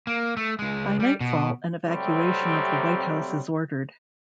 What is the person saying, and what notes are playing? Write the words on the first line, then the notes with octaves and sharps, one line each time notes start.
By nightfall, an evacuation of the White House is ordered.
A#3
A3
C#2 G#3
G3
B2
C3 F#3 G3 A3 C4